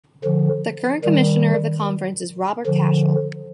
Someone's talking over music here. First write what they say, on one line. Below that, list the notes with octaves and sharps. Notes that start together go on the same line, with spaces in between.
The current commissioner of the conference is Robert Cashell.
D3 F3
D#3 G3
D3 F3